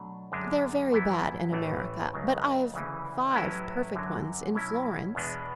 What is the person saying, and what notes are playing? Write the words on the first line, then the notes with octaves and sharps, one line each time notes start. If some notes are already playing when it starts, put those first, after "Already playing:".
"They're very bad in America, but I've five perfect ones in Florence."
Already playing: B2 F#3 A3 D4
F#2 D3 G#3 D4
F#2 E3 B3 E4
A1 A2 E3 A3
C#2 C#3 F#3
D2 C#3 E3
A1 A2 F#3 C#4 E4
F#2 D3 F#3
B2 F#3 C#4 E4
E2 B2 G#3 B3 D4